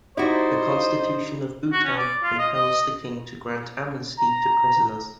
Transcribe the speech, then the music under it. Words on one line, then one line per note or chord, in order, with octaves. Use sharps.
The Constitution of Bhutan empowers the King to grant amnesty to prisoners.
D#4 E4 F#4 G4 C5 D5 D#5
F#4
C#4
D5
F4
D#5
D#5
A#5